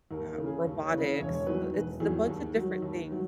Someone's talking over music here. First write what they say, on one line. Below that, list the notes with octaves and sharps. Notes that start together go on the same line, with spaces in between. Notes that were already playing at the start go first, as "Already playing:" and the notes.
uh, robotics. Th It's a bunch of different things,
D#2 A#4
A#4
C#3 E3
G#4
D#2
C#5
C#3 E3 B4
E1 C#5
C#5
E2 D#3 F#3 B4
E1 B4
E2 D#3 F#3 G#4
D#2
D#3 F#3
D#2
D#3 F#3